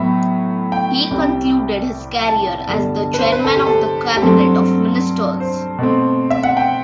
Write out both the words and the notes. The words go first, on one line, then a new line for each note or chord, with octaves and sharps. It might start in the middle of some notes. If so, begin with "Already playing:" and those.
He concluded his career as the Chairman of the Cabinet of Ministers.
Already playing: A2 F#3 B3 E5
G5
C2 C3 G3
A5
G2 D3 G3 B3
B4
C5
B4
A4
G4
A4
G4
G2 F#3 A3 C4 A4
C5
B2 A3 C4
E5
F#5
G5